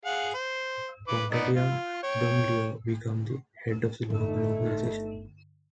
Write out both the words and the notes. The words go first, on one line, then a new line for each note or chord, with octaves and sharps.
Pantaleon Dumlao became the head of the local organization.
G#4 F5 F#5
C5
B4 D6
B3 D#4 D5
F4
C#5 G5
G1 A3 D#4